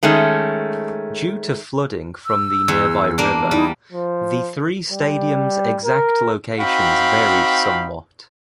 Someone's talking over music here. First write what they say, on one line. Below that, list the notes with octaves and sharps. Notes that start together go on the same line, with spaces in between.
Due to flooding from the nearby river, the three stadiums' exact locations varied somewhat.
D#3 G#3 A3 C#4
E6
E2
A#3 D4
G3 D#4 E4
F3
G3
A#4
C4 D#4 F#4 F5 G5 B5